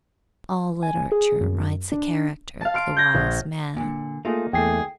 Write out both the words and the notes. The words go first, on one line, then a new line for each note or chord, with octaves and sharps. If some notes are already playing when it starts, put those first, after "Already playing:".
All literature writes the character of the wise man.
G#5
G#4
F#2
D4
F5 A5
C6 F6 D7
G6 G#6 A#6
A#1
A#2 D3
A3 A#3 D#4 F4 G#4
E2 A3 G#4 G5 C7